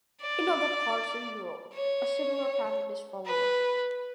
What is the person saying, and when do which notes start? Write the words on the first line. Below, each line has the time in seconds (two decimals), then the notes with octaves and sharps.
In other parts of Europe, a similar pattern is followed.
0.22 D5
1.74 C#5
3.26 B4